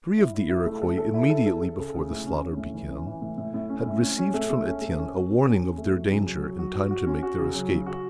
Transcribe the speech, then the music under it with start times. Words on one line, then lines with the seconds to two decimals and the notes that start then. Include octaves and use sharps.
Three of the Iroquois, immediately before the slaughter began, had received from Etienne a warning of their danger in time to make their escape.
0.18 E4
0.34 E4
0.49 E4
0.66 A3
0.82 A4
0.98 A4
1.14 E4
1.30 A4
1.46 A4
1.62 A4
1.78 C#3
1.94 C#3
2.10 A2
2.26 C#4
2.42 C#4
2.57 A2
2.74 E3
2.90 C#4
3.06 E3
3.22 A2
3.38 A2
3.54 A2
3.69 C#4
3.86 A2
4.02 C#4
4.18 C#4
4.34 A3
4.50 A3
4.66 C#4
4.82 A3
4.98 C#4
5.14 F#4
5.30 C#4
5.46 C#4
5.62 C#4
5.78 A3
5.95 F#3
6.11 C#3
6.26 F#3
6.42 F#3
6.59 F#4
6.74 F#4
6.91 F#4
7.06 C#4
7.23 F#4
7.38 C#3
7.54 F#3
7.70 C#3
7.86 F#4